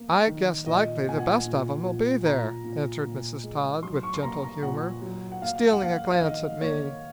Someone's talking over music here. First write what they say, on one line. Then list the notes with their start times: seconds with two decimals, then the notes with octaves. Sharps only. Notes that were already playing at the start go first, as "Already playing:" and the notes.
"I guess likely the best of 'em'll be there," answered Mrs. Todd with gentle humor, stealing a glance at me.
Already playing: A#3
0.27 D#3
0.66 A#2 D#5
1.06 A#2 G#5
1.19 F#5
1.46 A#2
1.85 A#2
2.25 A#2 A#5
2.64 A#2
3.04 A#2
3.44 G#3
3.83 F#3 C6
4.03 C#6
4.14 C6
4.23 A#3 A#5
4.43 A#5
4.62 A#2 F#5
5.02 F#3
5.32 F#5
5.42 A#3 F5
5.72 F#5
5.81 A#3 F5
6.11 F5
6.21 D#3 D#5
6.61 A#3 C#5